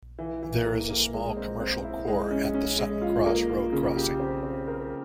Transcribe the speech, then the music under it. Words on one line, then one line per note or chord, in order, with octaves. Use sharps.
There is a small commercial core at the Sutton Cross road crossing.
E3
E3
A#3
A#3
G#3
C4
C4
E4
G#3
C#4
C#4
G#3
F4
A#3
F4
C#3
G4
C4
C4
A#4